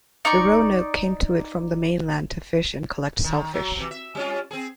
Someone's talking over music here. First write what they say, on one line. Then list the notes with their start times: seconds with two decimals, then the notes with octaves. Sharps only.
The Roanoke came to it from the mainland to fish and collect shellfish.
0.25 D#4 D5 C#6
3.24 D#3
3.54 F#3
3.77 C3 E3
3.91 E5
4.15 G3 C#4 F4
4.51 C4 G#4